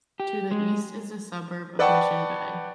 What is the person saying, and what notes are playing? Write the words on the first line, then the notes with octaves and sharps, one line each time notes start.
To the east is the suburb of Mission Bay.
G4
G#3
B4 D5 F#5 G5 A5 C#6